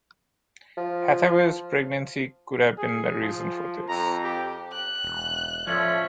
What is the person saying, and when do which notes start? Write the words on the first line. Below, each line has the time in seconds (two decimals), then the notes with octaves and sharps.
Hathaway's pregnancy could have been the reason for this.
0.77 F3
2.78 G#4
3.22 F3
3.89 F2 A#5
4.23 G4
4.72 F#6
5.04 E1
5.67 A2 F3 C#4 D5 E5